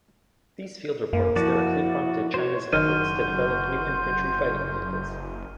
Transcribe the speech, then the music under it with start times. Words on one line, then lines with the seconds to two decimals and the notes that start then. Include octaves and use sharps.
These field reports directly prompted China’s effort to develop new infantry fighting vehicles.
1.13 F#2 A#3
1.36 F3 E4 F#4 D5
2.34 F#4 C5 C#5
2.73 F#1 D#3 F#4 C6 F6 G6 D#7